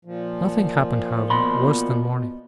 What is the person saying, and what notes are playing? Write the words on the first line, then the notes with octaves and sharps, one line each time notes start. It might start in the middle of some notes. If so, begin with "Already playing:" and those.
Nothing happened, however, worse than morning.
A#2 F3
B2 B5 C6